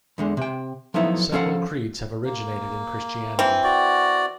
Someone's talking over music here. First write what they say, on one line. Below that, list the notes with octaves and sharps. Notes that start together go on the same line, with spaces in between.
Several creeds have originated in Christianity.
E2 D3 G#3
C3 G5
F3 F#3 A3 B3 D#4 E4
F3 C#4 A4 F5 F#5
A#3
E3 C4
F#4 D5